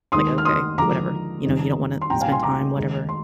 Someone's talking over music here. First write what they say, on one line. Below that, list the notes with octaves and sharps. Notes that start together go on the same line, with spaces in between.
like, "Okay, whatever. You know, you don't wanna spend time? Whatever."
D#2 D#3 G#3 C6 D#6
F6
C6 D#6
D#2 D3 F3 G#3 A#5 D6
F2 D#3 G3
C6
C2 A#2 G3 G5 A#5
F5 G#5
G#5 C6
A#5 D6
D#2 D#3 G#3
C6